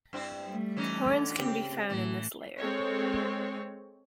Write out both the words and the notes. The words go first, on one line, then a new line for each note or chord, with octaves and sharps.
Porins can be found in this layer.
G2 C4 E4
G3 A3
E3 C#4 D#4
D3
C#3 C4 G4
A2 E3
G#3 C4 A4 C#5